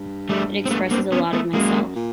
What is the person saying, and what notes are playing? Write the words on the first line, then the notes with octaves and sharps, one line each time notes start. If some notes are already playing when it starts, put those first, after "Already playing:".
It expresses a lot of myself.
Already playing: G2
G3 A3
C4
A3 B3
A#3 C4
B3 C#4
A3 B3
F#2 G#3 A#3
A#2